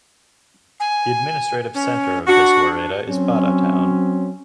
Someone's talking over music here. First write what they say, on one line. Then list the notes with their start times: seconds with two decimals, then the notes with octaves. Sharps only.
The administrative center of this woreda is Bada Town.
0.80 G#5
1.74 C#4
2.27 D4 F#4
3.07 F#3 C4 C#4